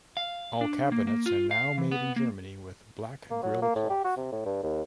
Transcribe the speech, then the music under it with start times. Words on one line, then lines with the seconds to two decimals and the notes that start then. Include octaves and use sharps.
All cabinets are now made in Germany with black grill cloth.
0.17 F5
0.61 D4
0.92 A#3
1.07 A#3
1.26 F4
1.51 F5
1.78 E3
1.91 B3
2.16 A#3
3.31 A#3
3.43 F#3
3.62 A#3
3.75 A2
3.90 G4
4.05 F#4
4.17 C3
4.32 A2
4.46 G2
4.63 D#2